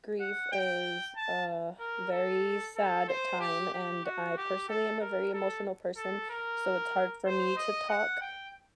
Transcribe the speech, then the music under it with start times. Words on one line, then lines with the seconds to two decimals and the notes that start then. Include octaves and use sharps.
grief is a very sad time, and I personally am a very emotional person, so it's hard for me to talk,
0.20 F#5
0.53 G5
1.16 A5
1.80 A#4
2.12 A4
2.76 A4
3.08 C5
3.40 G4
3.73 G4
4.05 F#4
4.37 G4
4.69 A4
5.00 A#4
5.33 A4
5.97 A4
6.30 A#4
7.26 C5
7.57 D#5
7.89 F#5
8.21 G5